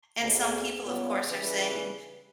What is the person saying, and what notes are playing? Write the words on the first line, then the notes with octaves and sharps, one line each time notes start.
and some people, of course, are saying,
D2 G#4
A#2 C#3 G3 B3
C#3 E3 G3 G#4 B4